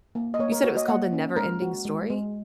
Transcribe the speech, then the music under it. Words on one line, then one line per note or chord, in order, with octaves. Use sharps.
You said it was called The NeverEnding Story?
A#3
D#5
A#3 C#5
A#4
F#4 C#5
D#5
A#3 F#5
C#4
G#3 A#4
F#4
G#3
G#3